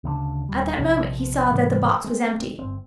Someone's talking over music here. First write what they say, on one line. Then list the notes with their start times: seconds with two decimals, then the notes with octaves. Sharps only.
At that moment he saw that the box was empty.
0.04 D2 C#3 G#3 D4
0.49 D#1 G3
0.78 A#1 C3 D#3 F3
1.51 G#2 C3 E3 G3
2.04 G#3 C4
2.59 G1 C4